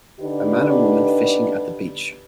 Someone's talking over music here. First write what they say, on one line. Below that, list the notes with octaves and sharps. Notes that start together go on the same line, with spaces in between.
A man and woman fishing at the beach.
D3 D4 D#4 G4 B4 D5